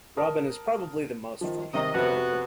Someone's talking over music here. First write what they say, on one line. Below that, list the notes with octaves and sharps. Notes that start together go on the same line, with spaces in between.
Robyn is the probably the most functional character.
A#4 A5 D#6
D#3 F3
C3 D#3 D#5 A#5
F2 C3 B3 F#4